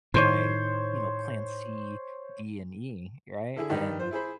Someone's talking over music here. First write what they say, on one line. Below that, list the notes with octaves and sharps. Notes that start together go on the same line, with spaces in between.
my, you know, plan C, D, and E, right? And,
A2 D#3 C5 C#5
D3 E4 G#4
G2 D#3 D#4
F4 C5
E4 G#4 C5 B5